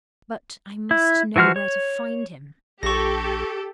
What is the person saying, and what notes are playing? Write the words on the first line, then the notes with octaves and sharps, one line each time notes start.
But I must know where to find him.
E4
E3 F3 F#4 C5 F6
C#5
A#1 G4 A4 C#6 A#6